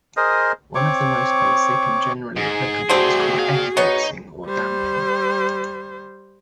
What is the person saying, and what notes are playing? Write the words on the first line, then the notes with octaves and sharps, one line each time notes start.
One of the most basic and generally applicable is called "F-mixing" or damping.
G#4 A#4 C5 D#5
C4 C#5 C#6 D6
G#2 G#4
D3 G3 A3 C4 F#4 C5
A#2 F5
B3 D#4 C#5
G3 C5